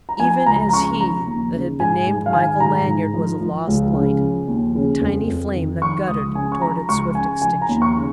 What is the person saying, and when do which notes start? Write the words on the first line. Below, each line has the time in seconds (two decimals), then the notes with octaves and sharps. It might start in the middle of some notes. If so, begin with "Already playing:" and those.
Even as he that had been named Michael Lanyard was a lost light, a tiny flame that guttered toward its swift extinction....
0.09 A#5
0.20 F3 G#5
0.46 C#2 A#5
0.69 A#5
0.73 C#3 C#6
0.99 F3 A#5
1.27 D#2
1.53 C#3
1.80 G#2 G#5
2.06 G#2 G#5
2.26 F5
2.33 D#3 G#5
2.60 G#2 A#5
2.87 G#2
3.14 F3
3.41 F3
3.67 C#2
3.94 C#3
4.21 F3
4.48 D#2
4.75 C#3
5.01 F2
5.27 F2
5.55 D#3
5.81 F3 C#6
6.08 C#2 D#6
6.35 C#3 G#5
6.52 C#6
6.62 F3 A#5
6.89 C#2 C#6
7.15 C#3 G#5
7.42 F3 G#5
7.62 A#5
7.69 D#2
7.82 C#6
7.96 C#3